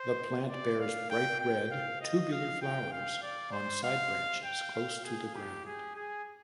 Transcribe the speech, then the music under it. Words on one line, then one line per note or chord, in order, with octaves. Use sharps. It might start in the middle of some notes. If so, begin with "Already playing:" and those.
The plant bears bright red, tubular flowers on side branches close to the ground.
Already playing: C5
D5
F5
G5
G5
F5
D#5
F5
G5
F5
D5
C5
F5
G5
F5
G#4
G4
G#4
G#4